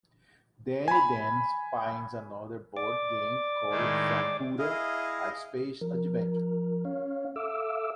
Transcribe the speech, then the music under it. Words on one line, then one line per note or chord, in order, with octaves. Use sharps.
Danny then finds another board game called "Zathura: A Space Adventure".
G#5 B5
D5 D6
A2 D#3 G#3
E4 G#4 D#5 F5
F3 A#4
C#4 C#5 F5
A4 E5 F5 D6 E6